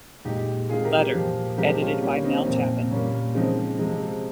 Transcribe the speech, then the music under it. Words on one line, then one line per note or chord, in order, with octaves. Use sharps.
Letter, edited by Mel Tappan.
A#2 G#3 D#4 G4
C3 D#3 G#3 F4 G#4
G4 A#4
G4 A#4
A#2 F3 A#3
C3 F3 G#3 G4 A#4
C#4 F4
D#3 G3 A#3 C#4
C#4
C4 D#4
C#4
A#2 F3 A#3 C4
A#2 G3 A#3 C#4
C#3 F3 G#3 C4 D#4
C3 F3 G#3